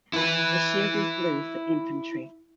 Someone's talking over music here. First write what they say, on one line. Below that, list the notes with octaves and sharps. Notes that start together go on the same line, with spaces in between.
The shield is blue for infantry.
E4 B4